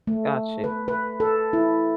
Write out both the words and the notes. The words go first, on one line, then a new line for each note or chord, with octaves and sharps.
Got you.
A3
B4
B4
A4
E4